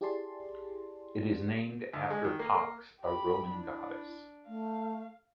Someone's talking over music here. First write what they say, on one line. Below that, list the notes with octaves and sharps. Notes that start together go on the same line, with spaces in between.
It is named after Pax, a Roman goddess.
E4 G4 G#4 D5 A5 C6
D2
G#3
D#3
A#3
A#3
G4 B5
D4 E4
A3 F5